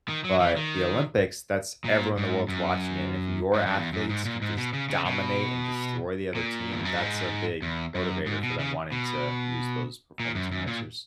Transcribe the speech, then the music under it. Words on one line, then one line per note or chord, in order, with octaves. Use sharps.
But the Olympics, that's everyone in the world's watching it, and if your athletes can just dominate and destroy the other team, that's a big motivator for them wanting to use those performance enhancers.
D#3
F#3
E3
D#3
A#2
G#2
F#2
G#2
F#2
E2
F#2
G#2
A#2
G#2
B2
C#3
C#3
B2
A#2
E2
F#2
G#2
E2
F#2
G#2
B2
C#3
B2
A#2
F#2
F#2
A#2